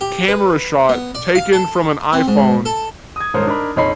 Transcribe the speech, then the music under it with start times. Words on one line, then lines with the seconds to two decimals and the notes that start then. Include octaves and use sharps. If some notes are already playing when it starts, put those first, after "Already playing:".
camera shot taken from an iPhone
0.01 G4
0.28 B4
0.89 B3
1.15 D5
1.35 F5
1.53 A4
2.13 C4
2.28 G#2
2.65 A4
3.16 D#6 G#6
3.34 D#1 G#2 A#4 C5 C#5
3.47 D4 D#4 A#4 B5
3.76 A#1 F2 D#4 C#5 B5 C7